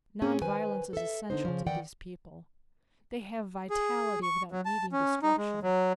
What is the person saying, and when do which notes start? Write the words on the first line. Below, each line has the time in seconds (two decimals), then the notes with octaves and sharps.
Nonviolence is essential to these people--they have vitality without needing destruction.
0.22 A2 C4 C#4 G#4
0.42 D#3 B4 C5 G#5
0.93 A4 E5
1.30 D3 B3 D#4 C5
1.45 C#3 F3
1.66 D#3 E3 D5 F#5 G5
3.70 G#4
4.23 C#6
4.52 F#3
4.65 A5
4.92 C#4
5.23 D#4
5.38 G#3
5.63 F#3